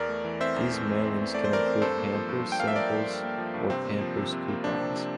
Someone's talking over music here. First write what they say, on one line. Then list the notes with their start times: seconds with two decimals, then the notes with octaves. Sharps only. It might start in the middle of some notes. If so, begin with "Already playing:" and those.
These mailings can include Pampers samples or Pampers Coupons.
Already playing: E2 A#4 D5
0.09 A3
0.25 E3
0.41 C4 C5 E5
0.56 E2
0.72 A3
0.88 E3
1.03 C4
1.18 E2
1.34 A3 D5
1.44 C5
1.51 E3 A#4 D5
1.66 C4
1.82 G2 A4 C5
1.97 A#3
2.13 F3
2.29 G2
2.45 G2
2.52 G5
2.60 A#3 F5
2.68 E5
2.76 F3 A#4 D5
2.91 G2
3.07 G2
3.23 A#3
3.38 F3
3.54 G2
3.70 C3 C4
3.85 A#3
4.01 F3
4.17 C3
4.33 C3
4.48 A#3
4.64 F3 D4
4.80 C3
4.95 C3